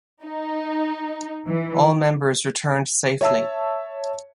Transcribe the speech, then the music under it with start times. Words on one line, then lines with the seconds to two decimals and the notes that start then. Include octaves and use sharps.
All members returned safely.
0.24 D#4
1.47 E3
3.21 C#5 E5 A5 E6